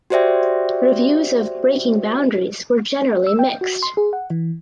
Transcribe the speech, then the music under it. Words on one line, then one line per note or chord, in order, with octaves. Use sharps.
Reviews of "Breaking Boundaries" were generally mixed.
F#4 G4 C5 D5 E5 G5
E6
G5
F#4
C6
G#4
F#5
E3